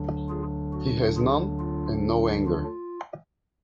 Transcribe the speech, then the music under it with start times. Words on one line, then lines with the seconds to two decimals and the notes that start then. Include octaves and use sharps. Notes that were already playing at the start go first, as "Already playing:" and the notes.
He has none, and no anger.
Already playing: D2 D3 F#3 D4
0.29 F4 G#4
0.73 F#4
1.17 F4 G#4
1.60 F4
2.47 F4